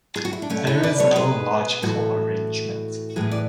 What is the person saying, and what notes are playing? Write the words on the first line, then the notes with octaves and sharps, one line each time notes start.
There is no logical arrangement.
G#4
F#4
E4
D4
B2 A3 C#4
C#4 E4
B4 D5
A4 C#5
G#4 B4
A2 E3 F#4 A4
A2 E3 G#4 B4
D5